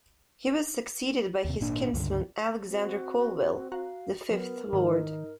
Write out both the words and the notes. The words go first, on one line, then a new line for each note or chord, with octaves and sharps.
He was succeeded by his kinsman Alexander Colvill, the fifth Lord.
D#2 C3
G#1 A#2 D4
C#2 G2 D3
C4 F#4
F#4 F5 A#5 F#6
F#3 B3 A#4
G#2 D#3 D#4